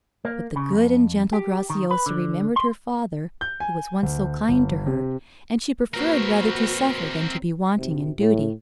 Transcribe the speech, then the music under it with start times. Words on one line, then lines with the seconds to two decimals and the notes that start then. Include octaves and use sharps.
But the good and gentle Graciosa remembered her father who was once so kind to her, and she preferred rather to suffer than to be wanting in duty.
0.25 A#3
0.56 C#3
0.71 F2
1.33 G4
1.70 D#3
1.91 B4
2.06 D3
2.56 C6
3.41 G6
3.60 G#5
4.03 D2
4.48 G1
4.87 C3
5.94 A#3 C4 F#4 A#4 B4
7.76 G#1 C3
8.19 A2